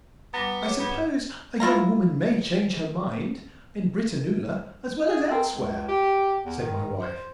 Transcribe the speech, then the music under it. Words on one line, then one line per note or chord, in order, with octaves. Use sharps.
"I suppose a young woman may change her mind in Britannula as well as elsewhere," said my wife.
F#2 G3 B3 D6
G#4 C#5 D6
G2 B3 G6 G#6
E4 F4 F5 A#5
G#4
C4
C#2
G4
E2
D#3
C5